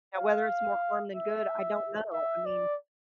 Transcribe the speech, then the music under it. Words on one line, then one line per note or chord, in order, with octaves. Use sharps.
Now, whether it's more harm than good, I don't know. I mean
F5
E5
E5
D5